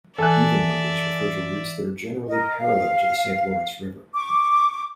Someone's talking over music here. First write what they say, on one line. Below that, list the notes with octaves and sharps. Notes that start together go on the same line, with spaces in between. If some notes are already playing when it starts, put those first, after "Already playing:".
Even numbers refer to routes that are generally parallel to the Saint Lawrence River.
E3 A4 D5 E5 G#5 F#6
A#4 D#5
F5
C#6 D6